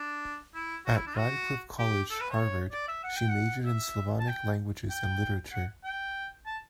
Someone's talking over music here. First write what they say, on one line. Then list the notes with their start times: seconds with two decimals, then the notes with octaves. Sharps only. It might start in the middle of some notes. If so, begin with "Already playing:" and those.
At Radcliffe College, Harvard, she majored in Slavonic Languages and Literature.
Already playing: D4
0.55 E4
0.86 F#4
0.96 E4
1.07 D4
1.17 F#4
1.79 G4
2.11 A4
2.21 B4
2.31 C#5
2.72 D5
2.88 E5
3.04 F#5
3.17 G5
3.29 F#5
3.66 E5
4.20 A5
4.28 G5
4.90 G5
5.53 F#5
5.84 G5
6.46 A5